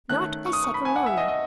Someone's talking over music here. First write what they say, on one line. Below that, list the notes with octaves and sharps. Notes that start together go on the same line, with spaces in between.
"Not a second longer."
D#3 A3 C#4 F#6
C#6
D#6
C#6
B5
G#5
F#5
E5
D#5
D#5